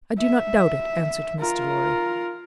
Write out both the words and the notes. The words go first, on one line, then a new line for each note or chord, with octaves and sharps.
"I do not doubt it," answered Mr. Lorry.
E5
F4 A#4